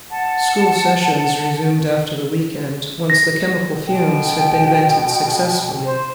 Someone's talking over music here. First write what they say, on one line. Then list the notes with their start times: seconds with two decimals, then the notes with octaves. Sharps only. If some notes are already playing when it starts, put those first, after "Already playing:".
School sessions resumed after the weekend once the chemical fumes had been vented successfully.
0.09 F#5 A5
3.10 A#6
3.87 B2 G5
5.85 C5